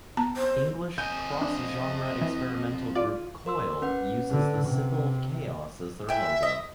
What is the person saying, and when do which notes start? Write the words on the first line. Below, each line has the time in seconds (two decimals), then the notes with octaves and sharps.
English cross-genre, experimental group Coil uses the Symbol of Chaos as their logo.
0.17 B3 A5 A#5
0.37 C5
0.98 F2 D#5 G#5 G6
1.42 D4
2.21 E3
2.95 F4 D5
3.46 A#4 C6 E6
3.82 C#4 B4 F#5
4.30 D3
4.66 C3
6.09 E3 E5 G5
6.43 D#5